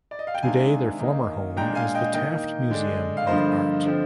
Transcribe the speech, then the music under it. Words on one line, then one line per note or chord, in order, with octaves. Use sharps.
Today their former home is the Taft Museum of Art.
D5
D#5
F5
G5
C3 D#3 G#3 D4 F5 G#5
D#3 A#3 D#4
A#2 G#3 D4 G5 A#5
F5 G#5
D#5 G5
D#3 A#3 D#4 D#5 G5
D3 G#3 D4
F5
G2 D3 F3 A#3 C5 D#5
D3 F3 C4